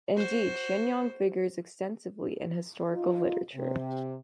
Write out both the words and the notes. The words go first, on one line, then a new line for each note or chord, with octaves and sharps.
Indeed, Shennong figures extensively in historical literature.
F#4 C5
D#4 F4
C3